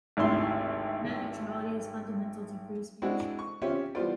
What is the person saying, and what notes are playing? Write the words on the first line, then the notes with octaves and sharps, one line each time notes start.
Net neutrality is fundamental to free speech.
G#1 D2 C3 E4 C6
G#3 C4 D4 E4 F#4
C#6
C4 C#4 F4 G4 C#5 E5
E3 G3 B3 F4 C5 D5